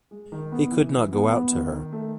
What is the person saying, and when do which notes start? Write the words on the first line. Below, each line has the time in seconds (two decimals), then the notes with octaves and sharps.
He could not go out to her.
0.11 G#3
0.32 D#3
0.52 B3
0.72 E3
0.91 E3
1.12 B3
1.32 B3
1.52 D#3
1.71 D#3
1.92 A3